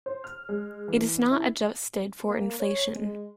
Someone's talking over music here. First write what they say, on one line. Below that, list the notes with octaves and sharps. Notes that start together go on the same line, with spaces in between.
It is not adjusted for inflation.
C5
F6
G#3
E3
E4
A#3
C#5
G#3